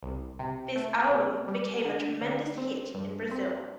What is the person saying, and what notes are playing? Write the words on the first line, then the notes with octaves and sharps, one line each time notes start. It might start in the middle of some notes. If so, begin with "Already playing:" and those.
This album became a tremendous hit in Brazil.
C2
C3
A3
C3
G3
D3
D3
C4
G2
C4